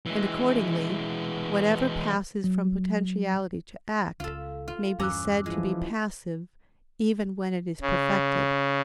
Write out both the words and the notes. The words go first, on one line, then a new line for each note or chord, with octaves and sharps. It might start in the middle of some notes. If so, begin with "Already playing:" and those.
And accordingly, whatever passes from potentiality to act, may be said to be passive, even when it is perfected.
E3 G#3
F#3
C#2 F4 A4
F4
E2 G2 C#4 A#5 D6 E6 F#6
E3 F3 G#3
C#3